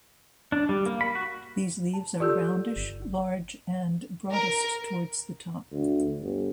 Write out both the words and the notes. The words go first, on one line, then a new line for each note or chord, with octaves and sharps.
These leaves are roundish, large, and broadest towards the top.
D4
G3
A#3
B5
F#4
A5
F4 G4 A4 D5 E6 G6
G1
A#4
D2
G1